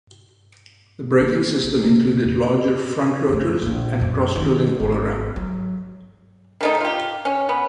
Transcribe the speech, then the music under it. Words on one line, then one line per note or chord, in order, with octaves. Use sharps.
The braking system included larger front rotors and cross-drilling all around.
A#3 B3
B1
A#3 D#4
C#3
F2 E3
F#2 A3
A#1 A#3
F#2 F#3
D#3 B3
G#1
F#3
D#3 A3 D#4
F4 G4
C#4
B3